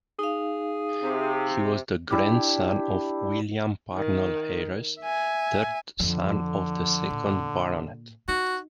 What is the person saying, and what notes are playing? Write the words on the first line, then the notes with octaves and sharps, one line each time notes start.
He was grandson of William Parnell-Hayres, third son of the second Baronet.
D#4 G#4 F5
C3
D4 E4 G4
D#3
E5 G#5
F2 D3 F3
A#2
D#4 F#4